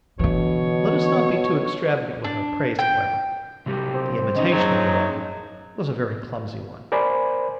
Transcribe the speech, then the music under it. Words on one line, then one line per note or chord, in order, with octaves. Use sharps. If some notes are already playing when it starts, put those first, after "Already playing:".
Let us not be too extravagant with our praise, however; the imitation of the bag was a very clumsy one.
B2 D3 E3 C#5
D4
G5
C3 F#3 G3 G4
C4
C#3 C#4 D#4 D#5
F#2 F#3 D#4 G#4 C#5
A#4 C5 D5 G#5 B5